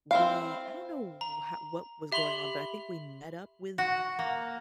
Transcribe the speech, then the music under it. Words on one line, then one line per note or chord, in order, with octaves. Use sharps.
we I don't know h what was going on, but I think we met up with
C4 E4 F5
A#5
G4 E5 B5 C6 F7 F#7
F#4
A#3